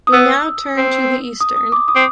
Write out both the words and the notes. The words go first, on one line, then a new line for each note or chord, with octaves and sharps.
We now turn to the eastern.
D#6
B3 E6
C4
D#6
D#6
D6
D#6
C4